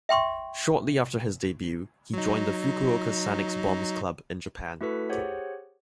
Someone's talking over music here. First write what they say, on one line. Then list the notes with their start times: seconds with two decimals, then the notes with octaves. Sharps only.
Shortly after his debut, he joined the Fukuoka Sanix Bombs club in Japan.
0.09 E5 G5 C6 C#6
2.14 F#3 D#4
4.81 A3 E4 F#4 A4 B4 B6
5.09 G4 G#4 C5 C#5 F#5